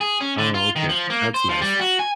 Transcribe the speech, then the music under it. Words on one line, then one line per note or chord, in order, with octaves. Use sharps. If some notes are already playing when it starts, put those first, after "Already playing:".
Oh, okay. That's nice.
G#4
C#4
D3
F4
D#3
F3
A#3
C5
F3
G3
F#4
G#5